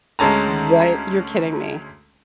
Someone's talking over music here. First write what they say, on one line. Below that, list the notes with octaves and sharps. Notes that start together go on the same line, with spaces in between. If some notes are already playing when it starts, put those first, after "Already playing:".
What? You're kidding me.
D2 G#3 C#4 A5 A#5